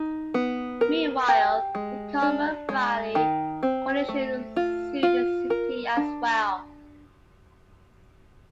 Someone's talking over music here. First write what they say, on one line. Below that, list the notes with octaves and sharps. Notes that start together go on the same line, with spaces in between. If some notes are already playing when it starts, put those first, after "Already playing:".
Meanwhile, the Carmel Valley Coalition sued the city as well.
Already playing: D#4
B3
A#4
G4
G#3
D4
G#3
D#3
C4
A3
F4
F4
A#4
D4